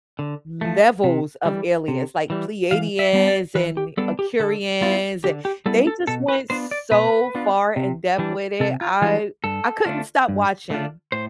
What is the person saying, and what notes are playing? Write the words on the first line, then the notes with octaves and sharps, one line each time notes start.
levels of aliens, like, Pleiadians, and Aqirians and they just went so far in depth with it, I I couldn't stop watching.
D3
F3 A3
C3
E3 G3
C3
E3 G3
E3 F5
E5
G3 B3 D4
D5
E3 B4
G4
G3 B3 D4 A4
G4
D3 A4
G3 B3 E4 F4
D3 G4
G4
G3 B3 E4 A4
A4
B2 A4
B4
B3 D4 F4 C5
D5
B2 B4
B3 D4 F4
C3
E3 G3 D4
C3 A4
F4
E3 G3 D4 F4
G2 A4
D3 A3 D4 F4
G2
D3 A3 D4 F4
A2 C5